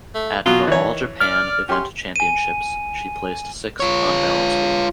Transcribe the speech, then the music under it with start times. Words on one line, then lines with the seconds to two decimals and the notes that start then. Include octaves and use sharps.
At the All Japan Event Championships she placed sixth on balance beam.
0.15 A3
0.46 B2 F#3 F4
0.67 D#3 E3 C#5
1.20 D5 F6
1.69 C#4 G4 C6
2.16 G#5 D#7
3.80 F4 C#5